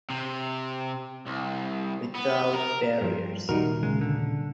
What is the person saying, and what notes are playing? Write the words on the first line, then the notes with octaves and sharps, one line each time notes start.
Without barriers.
C3
C2
B3
A#4
G2 F3
D#1 C3 G3 D#4 F#4 A#4
C#3 G#3
D3